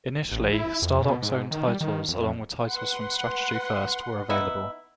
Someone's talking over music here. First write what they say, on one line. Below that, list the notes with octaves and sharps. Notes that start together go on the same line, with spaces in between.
Initially, Stardock's own titles along with titles from Strategy First were available.
A1
E4
F2
B2
G#2
D#3
G3
D#3
F2
B4 F#5 C6
B3 D#4 E4